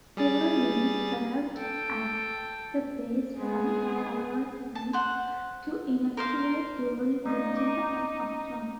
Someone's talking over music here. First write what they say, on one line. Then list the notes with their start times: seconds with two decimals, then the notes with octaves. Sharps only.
Several units arrived at the base from overseas to inactivate during September and October.
0.17 G3 G#4 A6
1.56 A4 G5
3.37 G#3 B3 C4 G#4
4.75 A5
4.93 C5 F#5
6.17 A#4 C5 F5
7.25 A3 B3 D#4 D5
7.52 C#4 D6